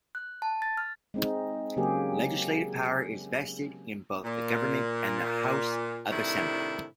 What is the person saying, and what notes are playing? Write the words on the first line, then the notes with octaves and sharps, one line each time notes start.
Legislative power is vested in both the government and the House of Assembly.
F#6
A5
A6
F6
G#3 C4 D#4
C#3 F#3 A#3 G4 G#4
A#2
A2 C3 D#3 D4 E4